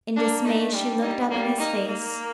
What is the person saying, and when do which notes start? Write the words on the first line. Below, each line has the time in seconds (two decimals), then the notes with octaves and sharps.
In dismay she looked up in his face.
0.16 A#3 D4
0.45 A3 D#4
0.74 G3 D4
1.02 G3 D#4
1.31 G3 A#3
1.59 A#3 D#4
1.88 A#3